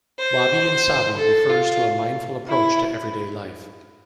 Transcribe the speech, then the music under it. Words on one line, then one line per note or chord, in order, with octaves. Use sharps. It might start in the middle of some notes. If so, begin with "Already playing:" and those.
Wabi and sabi refers to a mindful approach to everyday life.
C5
A4
F4
E4